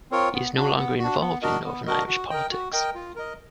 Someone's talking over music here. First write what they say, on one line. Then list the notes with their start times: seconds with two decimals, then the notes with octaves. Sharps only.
He is no longer involved in Northern Irish politics.
0.11 C4 F4 A#4 C#5
0.33 B3
0.56 D4 F#4
0.77 B3
0.99 D4 F#4
1.21 B3
1.42 D4 F#4 A#4 D#5
1.65 B3
1.86 D4 F#4 A#4 D#5
2.07 F#4
2.30 A#4 D#5 G5
2.51 F#4
2.73 A#4 D#5 G5
2.95 F4
3.16 A#4 D#5